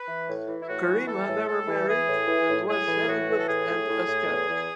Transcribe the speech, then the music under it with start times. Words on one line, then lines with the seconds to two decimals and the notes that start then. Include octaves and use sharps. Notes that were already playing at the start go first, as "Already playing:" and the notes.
Karima never married and was celibate and ascetic.
Already playing: B4
0.08 E3
0.28 A2
0.48 E3
0.62 E4
0.67 A2 F#4
0.88 E3
1.07 E3 A4
1.28 A2
1.48 A2 A4
1.67 E3
1.88 E3 G#4
2.08 A2
2.28 E3
2.48 A2
2.68 A2 G#4
2.88 E3
3.08 A2 F#4
3.29 E3
3.38 A4
3.48 A2 G#4
3.69 A2
3.88 A2
4.08 A2
4.28 E2
4.49 E2